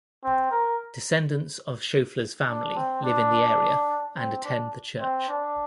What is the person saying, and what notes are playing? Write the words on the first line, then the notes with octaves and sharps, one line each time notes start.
Descendants of Schoeffler's family live in the area and attend the church.
C4
A#4
D4
C4
D4
C4
D4
C4
D4